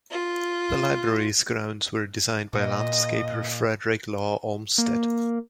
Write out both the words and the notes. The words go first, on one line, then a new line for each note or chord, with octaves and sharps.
The library's grounds were designed by landscaper Frederick Law Olmsted.
F4
A#2 D#5
A#3